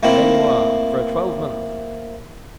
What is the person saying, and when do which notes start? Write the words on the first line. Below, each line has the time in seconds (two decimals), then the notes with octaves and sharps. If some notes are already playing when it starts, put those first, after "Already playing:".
There you are, for a twelvemonth!
0.03 A3 A#3 C4 E4